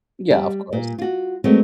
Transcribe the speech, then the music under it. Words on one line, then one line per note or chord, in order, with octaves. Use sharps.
Yeah, of course.
G3
A#2
F4 F#4
F#3 G#3 A3 B3 C4